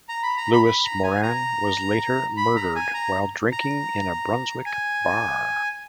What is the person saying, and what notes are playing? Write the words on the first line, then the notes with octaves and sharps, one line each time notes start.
Lewis Moran was later murdered while drinking in a Brunswick bar.
A#5
B5
A#5
B5
B5
A#5
G#5
A#5
B5
A#5
G#5
A#5
A#5
G#5